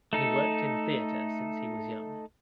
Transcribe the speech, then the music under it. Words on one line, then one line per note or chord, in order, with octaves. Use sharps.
He worked in theatre since he was young.
A3 D#4 A4